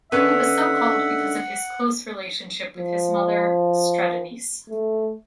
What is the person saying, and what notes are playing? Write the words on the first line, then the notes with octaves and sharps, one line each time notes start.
He was so-called because of his close relationship with his mother Stratonice.
D3 D#3 C#4 B4 E5 F#5
F3
A3